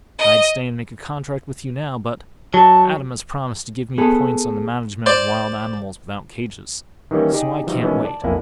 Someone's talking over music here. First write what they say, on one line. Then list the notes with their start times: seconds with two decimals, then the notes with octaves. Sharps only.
I'd stay and make a contract with you now, but Adam has promised to give me points on the management of wild animals without cages, so I can't wait.
0.18 D#5
2.54 F#3 A5
3.98 B3 G#4 A4
5.06 C5 D5
7.11 D#3 E3 G3 A#3 C#4
7.34 D#4 G4 G#4 D5 D#5
7.67 E3 F3 G3 D#4 F#4
7.81 B2 D#3 E3 G#3 B3 C#4
8.05 D5 A5
8.24 B1 F2 A#3 E4 F#5 G#5